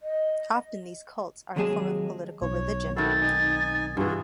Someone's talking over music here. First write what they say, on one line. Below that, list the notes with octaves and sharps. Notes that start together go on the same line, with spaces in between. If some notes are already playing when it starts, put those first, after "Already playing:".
Often these cults are a form of political religion.
D#5
D#2 C3 F#3 G#3 G#4 A5
B1 C#5
D#3 C4 E4 F#4 A4 A6
D#4 G#5
G2 E3 F4 F#4 G#4